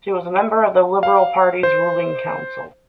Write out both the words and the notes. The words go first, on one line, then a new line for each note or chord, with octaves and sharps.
She was a member of the Liberal Party's ruling Council.
F5
C5